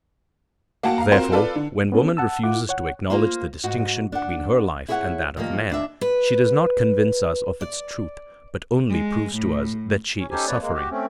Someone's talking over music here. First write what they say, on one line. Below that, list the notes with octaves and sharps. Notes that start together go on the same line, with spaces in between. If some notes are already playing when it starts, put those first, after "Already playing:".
Therefore, when woman refuses to acknowledge the distinction between her life and that of man, she does not convince us of its truth, but only proves to us that she is suffering.
A#3 F#4 F#5 G5 A5
F5 A#5
C4 F4 F#4 A#4 C5
F4 A4 B4 D5
D3
B3 C#4 A4
F#5 A5 E6
E4 F4 F#5 D6
C#5 F#5
A#3 F4 C5
G#2 F#4
D4 F#5
E4 G#4 C#5 D#5 F#5
D#3 F3 G3 A#3
D#2 D4 E5
B4
D5
G#3
A2
C#4
C#4 D#4 G4 A4 C5 G#5
F2 A#3 B4 C#5 D5
G#3 A#3
F#4 G4
A3 C4 C#4